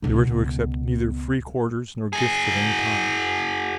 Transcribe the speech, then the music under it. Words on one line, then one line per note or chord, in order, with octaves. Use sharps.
They were to accept neither free quarters nor gifts of any kind.
C#2 B2
F#4 G#4